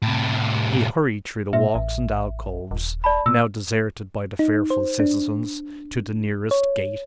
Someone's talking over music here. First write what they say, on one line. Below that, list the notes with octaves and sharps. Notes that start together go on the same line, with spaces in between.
And he hurried through the walks and alcoves, now deserted by the fearful citizens, to the nearest gate.
A2 C3
A#2 E5
A1
D#1
D5 A5 B5
A#2 E6
D#4
C5
D4
C#5